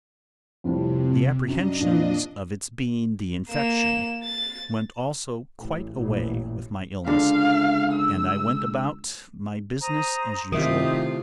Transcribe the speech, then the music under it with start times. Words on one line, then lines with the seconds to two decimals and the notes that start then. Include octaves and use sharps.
The apprehensions of its being the infection went also quite away with my illness, and I went about my business as usual.
0.64 F2 A2 C3 G3
1.48 F#2 D4 D#5
1.81 F2 A#2
3.50 A#3 E7
4.23 A6
5.60 A1
5.95 A1 A#2
7.07 C#2 D3 F5
7.92 E6
9.81 C5 A#5 D#6
10.52 A2 C3 D#3 D#4 F4 E5 D#6